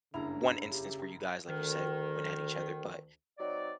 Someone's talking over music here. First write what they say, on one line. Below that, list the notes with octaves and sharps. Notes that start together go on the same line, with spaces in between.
one instance where you guys, like you said, went at each other, but,
F#1 G2 C#3 D4 E4 A#5 F7
G4
D2 D#3
F#3 C4 D#4 D5